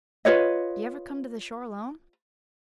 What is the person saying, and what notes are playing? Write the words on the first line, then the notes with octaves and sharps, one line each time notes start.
"Do you ever come to the shore alone?"
F4 B4 C#5 D#5